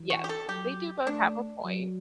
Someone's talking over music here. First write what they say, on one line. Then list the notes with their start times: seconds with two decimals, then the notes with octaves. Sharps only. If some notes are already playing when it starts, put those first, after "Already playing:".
Yes, they do both have a point.
Already playing: E3
0.10 F#4
0.24 G4
0.29 A4
0.48 F#3 G4
1.06 A3 D4
1.64 F#3